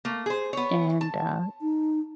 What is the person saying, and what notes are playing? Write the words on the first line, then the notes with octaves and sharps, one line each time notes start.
And, uh,
A3 A#3
G#4 C5
B3 C#5
A5
D#4